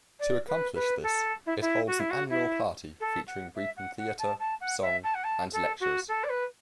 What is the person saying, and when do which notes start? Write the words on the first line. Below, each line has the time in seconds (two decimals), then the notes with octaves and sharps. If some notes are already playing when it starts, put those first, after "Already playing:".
To accomplish this, it holds an annual party featuring Breton theatre, song, and lectures.
0.19 D5
0.47 B4
0.75 B4
1.03 A4
1.46 E4
1.61 E4
1.87 F#4
1.99 E4
2.10 F#4
2.30 E4
3.00 A4
3.27 F#5
3.55 E5
3.76 F#5
3.97 F#5
4.18 A5
4.39 A5
4.60 F#5
4.82 E5
5.03 A5
5.14 F#5
5.23 A5
5.52 A4
5.80 F#4
6.08 A4
6.23 D5
6.29 B4